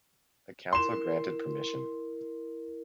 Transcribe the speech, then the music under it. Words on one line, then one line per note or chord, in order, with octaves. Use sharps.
The council granted permission.
E4 A#4 C6 E7